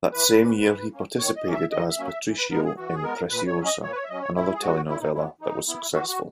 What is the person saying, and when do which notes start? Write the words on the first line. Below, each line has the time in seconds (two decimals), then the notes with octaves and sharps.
That same year, he participated as "Patricio" in "Preciosa", another telenovela that was successful.
0.13 E3 B4
0.40 A#3 C#4
0.66 E3
0.93 A#3 C#4
1.18 D#3 C#5
1.36 D#5
1.45 F#3 A#3 C#4
1.53 E5
1.72 D#3 D#5
1.89 E5
1.98 F#3 A#3 C#4
2.07 E5
2.25 E3
2.38 B4
2.51 G#3 B3 A#4
2.64 G#4
2.77 E3 F#4
2.95 G#4
3.03 G#3 B3 A#4
3.30 A#2 B4
3.47 C#5
3.57 F#3 C#4
3.65 D#5
3.82 A#2 C#5
3.92 B4
3.95 C#5
4.04 E5
4.09 F#3 C#4 D#5
4.22 C#5
4.35 A#2 E4
4.54 G#4
4.62 G#3 B3 F#4
4.89 A#2 E4
5.01 D#4
5.14 G#3 B3 E4
5.41 E3 D#4
5.68 B3 E4
5.94 E3 F#4
6.08 F#4